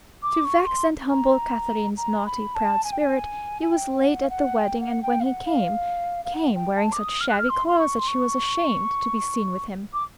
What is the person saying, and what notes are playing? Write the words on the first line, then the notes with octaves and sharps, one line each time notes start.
To vex and humble Katharine's naughty, proud spirit, he was late at the wedding, and when he came, came wearing such shabby clothes that she was ashamed to be seen with him.
D6
C#6
C6
A#5
A#5
B5
A5
G#5
G5
G#5
G#5
G5
F#5
F5
F#5
G5
F#5
G5
F5
F#5
F5
F5
F#5
G5
A5
D6
D#6
F6
F#6
F6
C6
C6
C#6
C6
C#6
D6